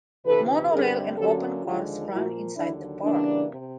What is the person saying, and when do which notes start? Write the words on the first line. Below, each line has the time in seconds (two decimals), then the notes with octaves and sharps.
Monorail and open cars runs inside the park.
0.25 D2 C3 E3 A4 B4
0.71 G2 D3 G3 C4 G#4 A#4
1.17 D2 D3 F#3 A#3 C#4 G4 A4
1.63 D#2 D3 F3 G#3 F4 G4
2.09 A#2 F3 A#3 E4 F#4
2.56 D#2 D3 F#3 D4 E4
3.02 C#3 E3 G3 A#3 D4
3.47 C3